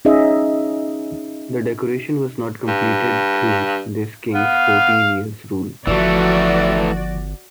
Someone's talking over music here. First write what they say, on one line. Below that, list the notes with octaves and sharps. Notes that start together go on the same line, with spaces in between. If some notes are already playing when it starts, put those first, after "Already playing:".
The decoration was not completed through this king's fourteen years rule.
C#4 D#4 G#4 D#5 E5
G2
B3 F5
G1 E3 F3 A3 F#4 D5